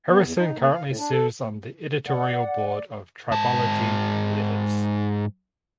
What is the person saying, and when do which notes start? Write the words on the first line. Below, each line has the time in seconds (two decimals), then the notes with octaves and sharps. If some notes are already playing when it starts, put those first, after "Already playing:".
Harrison currently serves on the editorial board of Tribology Letters.
0.09 B3
0.23 E2
0.39 D#4
0.59 A#3
0.74 F5
0.86 A2
0.99 D4
1.12 A4
2.07 D5 F#5
3.31 G#2 A5